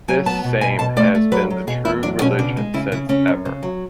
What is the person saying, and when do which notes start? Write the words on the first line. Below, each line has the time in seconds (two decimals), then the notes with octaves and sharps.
This same has been the true religion since ever.
0.08 F#3 G#5
0.26 B3 A5
0.44 B2
0.61 B2 G#5
0.79 B2 A5
0.96 A3 D5
1.15 A3
1.32 F#3 B4
1.50 F#3
1.67 B2 G#4
1.85 E2 E4
2.03 F#3 D4
2.21 B2 C#4
2.39 C#3 D4
2.57 G#3
2.74 C#3 E4
2.92 C#3 E4
3.09 C#3 C#4
3.28 F#2
3.45 C#3
3.63 F#3